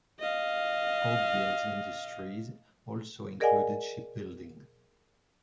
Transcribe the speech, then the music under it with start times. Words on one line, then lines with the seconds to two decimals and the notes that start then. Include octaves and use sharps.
Oakville's industries also included shipbuilding.
0.20 D#5 F5
3.40 G#4 A#4 D5 D#5 F#5 G#5